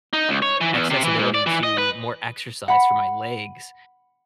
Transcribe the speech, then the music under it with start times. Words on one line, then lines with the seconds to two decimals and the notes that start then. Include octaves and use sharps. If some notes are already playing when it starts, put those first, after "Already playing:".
accessibility to more exercise for my legs.
0.13 D#4
0.29 C#2
0.42 C#5
0.61 E3
0.74 E2
0.91 C3
1.04 E3
1.19 G#2
1.34 D5
1.47 E3
1.63 D#5
1.78 B4
2.68 F#5 B5